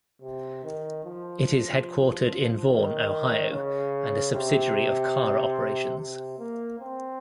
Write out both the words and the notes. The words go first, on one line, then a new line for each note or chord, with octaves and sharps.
It is headquartered in Vaughan, Ontario and a subsidiary of Cara Operations.
C3
D#3
F3
D#3
C#3
C3
C3
A#3
C4